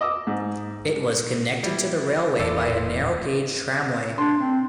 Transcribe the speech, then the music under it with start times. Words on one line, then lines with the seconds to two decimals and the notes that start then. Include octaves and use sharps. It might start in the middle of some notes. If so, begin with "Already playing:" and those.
It was connected to the railway by a narrow gauge tramway.
0.01 D#5 D6 E6
0.27 G#2
1.63 G3 E4 G4
2.39 D1 E2 E3 E4 F4 A4 D5
4.18 D4 C6
4.38 C4